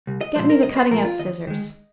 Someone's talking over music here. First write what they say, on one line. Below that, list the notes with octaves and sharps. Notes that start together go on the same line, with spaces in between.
Get me the cutting-out scissors.'
C2
D#5
A#2 F3 G#3 C5
A#4
C2 D#5
C5
A#2 F3 G#3 A#4
F4
D#2 D#5
D#3 G#3